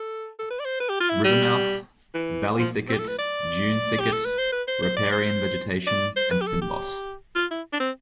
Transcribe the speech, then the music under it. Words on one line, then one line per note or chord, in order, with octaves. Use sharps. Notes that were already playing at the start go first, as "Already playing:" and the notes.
River mouth: Valley thicket, dune thicket, riparian vegetation and fynbos.
Already playing: A4
A4
B4
D5
C5
B4
G4
F4
E4
G3
E3
F3
C4
G4
A4
B4
D5
G4
A4
B4
C5
B4
C5
C5
D5
C5
D5
C5
B4
G4
A4
G4
F4
E4
D4
C4